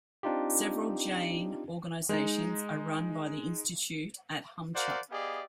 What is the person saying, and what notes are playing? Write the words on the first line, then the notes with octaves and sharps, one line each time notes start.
Several Jain organizations are run by the institute at Humcha.
C4 D4 D#4 F4 G4
G#3 D#4
F#4 A#4 C5 D5 F5 F#5
B3 G4 G#4 D5 D#5 F5